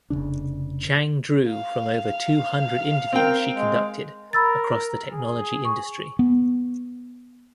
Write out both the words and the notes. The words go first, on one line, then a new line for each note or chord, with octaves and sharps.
Chang drew from over two hundred interviews she conducted across the technology industry.
F1 B1 C#3 D4
F5
C4 A#4 G5
G#3
A#4 B5 E6 A6
G#4
C#6
B3